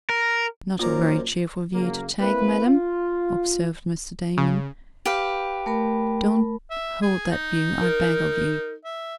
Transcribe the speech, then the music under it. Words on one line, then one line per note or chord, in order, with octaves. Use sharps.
Not a very cheerful view to take, madam," observed Mr. Damon. "Don't hold that view, I beg of you.
A#4
F#2 A#2 F4 A#4 C5 A#5 D6
C#3 F#3 A#3
A#3 C4 E4 B4
F4
C#3
G4 B4 F5
A3 A#4 B5
E5
G#4
D#4
A#4
E5